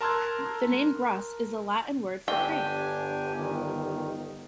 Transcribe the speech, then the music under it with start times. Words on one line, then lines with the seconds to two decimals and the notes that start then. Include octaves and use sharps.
The name "Grus" is the Latin word for "crane".
0.01 A#4 A5 C6 E6 F#6 G#6
2.28 G1 D4 G4 G5 G#5
3.38 D#3